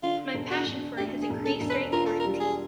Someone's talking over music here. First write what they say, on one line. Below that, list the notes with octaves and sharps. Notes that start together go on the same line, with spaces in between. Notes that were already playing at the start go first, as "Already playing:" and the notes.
My passion for it has increased during quarantine.
D3 F4
E1
F#4
E1
D2 G4
G#4
E1
A4
E1
B4
F4 A#4
A4
A#4
G3
G#4